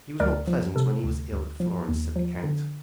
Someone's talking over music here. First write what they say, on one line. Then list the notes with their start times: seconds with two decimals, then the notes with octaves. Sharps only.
"He was not pleasant when he was ill at Florence," said the count.
0.20 D2 A#4 D5
0.47 F3
0.76 C3 A4
1.04 D2
1.32 D2
1.60 F3
1.89 D#2
2.16 F3
2.44 D3